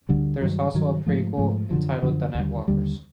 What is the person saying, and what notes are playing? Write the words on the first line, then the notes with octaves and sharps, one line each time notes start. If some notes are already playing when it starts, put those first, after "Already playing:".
There's also a prequel, entitled the "'NetWalkers".
D2 D3 G3
G2 D#3 F#3
G2 D#3 F#3
G#2 F3 A3
G#2 F3 A3
F#2 D3 F3
F#2 D3 F3
D#2 D3 G3
D#2 D3 G3